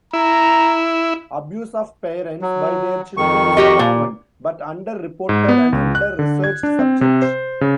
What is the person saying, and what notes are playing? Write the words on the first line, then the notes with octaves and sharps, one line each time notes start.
Abuse of parents by their children is a common but under-reported and under-researched subject.
E4 A#5
F#3
F2 D#3 C#6
F#4 G4 D#5
A#2
G#2
B3
C#2
F#6
D3
G#6
D4
C4
C3
C5
C#3